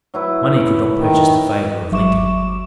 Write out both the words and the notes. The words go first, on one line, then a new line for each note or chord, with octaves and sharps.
Money could not purchase the favor of Lincoln.
F#3 E4 B4
D#3
G1 F#3 E5 C#6 D6 E7